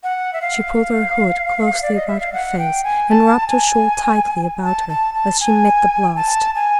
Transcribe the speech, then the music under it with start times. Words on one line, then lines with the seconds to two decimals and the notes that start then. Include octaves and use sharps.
She pulled her hood closely about her face, and wrapped her shawl tightly about her as she met the blast.
0.03 F#5
0.33 E5
0.42 F5
1.82 D5
1.95 D#5
2.07 E5
2.20 F5
2.33 F#5
2.58 G5
2.84 G#5
3.10 A5
3.48 G#5
4.64 A5
4.89 A5
5.14 A5
5.40 G#5
6.16 A5
6.55 G#5